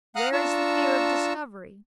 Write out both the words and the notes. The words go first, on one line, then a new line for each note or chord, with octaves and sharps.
Where is the fear of discovery?
F5 F#5 A#5 D#6 F6 F#6
D4 F4 A5 A#5 C#6 E6